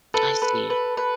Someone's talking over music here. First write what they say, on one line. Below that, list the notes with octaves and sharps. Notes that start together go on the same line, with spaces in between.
I see.
A4 B4
B4
B4
B4